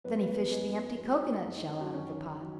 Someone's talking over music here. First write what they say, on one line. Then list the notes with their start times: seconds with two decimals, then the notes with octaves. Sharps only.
Then he fished the empty cocoanut shell out of the pot.
0.04 F#2 F#3 B3 B4
0.20 B3 B4
0.35 B3 B4
0.52 F#2 F#3 G#3 G#4
0.99 F#2 F#3
1.46 F#2 F#3 D#4
1.58 D#4
1.70 C#4
1.81 F#3 F#4
1.93 F#2 D#3 F#3 C#4 C#5
2.41 D#3 F#3